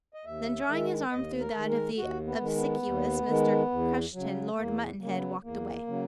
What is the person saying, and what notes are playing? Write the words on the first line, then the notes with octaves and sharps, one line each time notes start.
Then, drawing his arm through that of the obsequious Mr. Crushton, Lord Mutanhed walked away.
D#5
D#2 E5
D#3 G#3
D#2 D#5
A#4
D#3 G#3
A#4
D#2 F#4
B3
D#3 G#3
B3
D#2
D#3 G#3
E2
C#3 F#3
E2 A#3
C#3 F#3 A#3
B3
E2 A#3
C#3 F#3